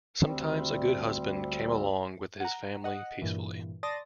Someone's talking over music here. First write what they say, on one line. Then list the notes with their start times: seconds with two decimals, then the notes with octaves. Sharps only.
Sometimes a good husband came along with his family, peacefully.
0.24 D2 G3 C4
2.40 F#5 A#5
2.84 D#5 F#5
3.22 G2 A#2 E3
3.83 D5 A5 C6 D#6 A6 A#6